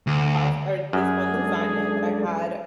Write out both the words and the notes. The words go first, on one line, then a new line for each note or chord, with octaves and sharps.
past or this one lasagna that I had,
D2
F#2 G#4
G#3 D4 A4